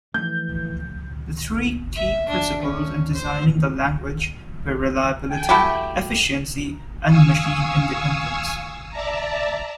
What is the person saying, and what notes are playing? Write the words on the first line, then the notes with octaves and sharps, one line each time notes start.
The three key principles in designing the language were reliability, efficiency, and machine-independence.
E3 F3 A3 G6
E5
D4
C#4
C5
A3 E4 F#4 G4
F5 G#5 C#6 D#6 E6
D5 E5 A5 A#5